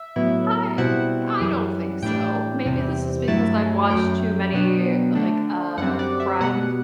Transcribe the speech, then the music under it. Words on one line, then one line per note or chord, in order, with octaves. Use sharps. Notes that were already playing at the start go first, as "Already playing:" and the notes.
I I don't think so, maybe this is because I've watched too many, eh like, uh, crime
Already playing: E5
A2 F#3 B3 E4
B2 G3 C4 E4 F#5
F#2 E3 G3
A2 E3 G3 D4 G5
E2 C3 G3 C4
G2 F#3 A3 E4 A5
F#2 F#3 A3 G5
B2 F#3 B3 D4
D3 A3 D4
F#2 D3 G3 C4 F#5
D5
E5
B2 G3 B3 F#5